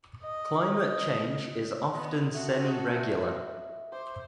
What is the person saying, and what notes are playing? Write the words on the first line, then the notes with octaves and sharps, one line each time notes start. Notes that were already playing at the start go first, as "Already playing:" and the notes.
Climate change is often semi-regular.
D#5
D#5
B3 D#5
A3 F#4
D#5 E5 A5
C5 D6